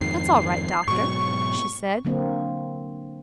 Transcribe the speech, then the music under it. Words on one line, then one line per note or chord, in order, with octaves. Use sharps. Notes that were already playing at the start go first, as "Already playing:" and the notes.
"That's all right, Doctor," she said.
F2 G#2 D#3 C7
G#2 B2 F#3 C#6
D3 F#3 A#3 C4